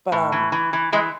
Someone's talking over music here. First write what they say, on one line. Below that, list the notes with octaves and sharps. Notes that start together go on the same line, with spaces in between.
But, um,
A2
E3
E3
E3
E3 G#3